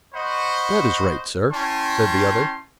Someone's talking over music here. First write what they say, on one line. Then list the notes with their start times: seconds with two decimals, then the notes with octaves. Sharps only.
"That is right, sir," said the other.
0.14 C5 D#5 F#5 B5 C#6
1.51 C#4 E4 G5 A5 C6